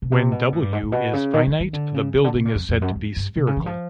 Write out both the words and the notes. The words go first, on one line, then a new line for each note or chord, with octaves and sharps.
When "W" is finite, the building is said to be spherical.
B2
C3
B2
A2
G2
G#2
A2
B2
C#3
D#3
D#3
D#3
D3
C#3
C#3
D3
C3
A#2
F2
F2
F#2
E2
G2
C3
C#3
E3
F3